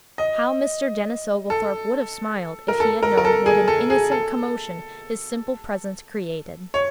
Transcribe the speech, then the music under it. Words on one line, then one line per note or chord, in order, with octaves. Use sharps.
How Mr. Denis Oglethorpe would have smiled if he had known what an innocent commotion his simple presence created!
D#5
A4
A#4
A4
A#4
A#4
A4
G#4
A4
G#4
A4
C#5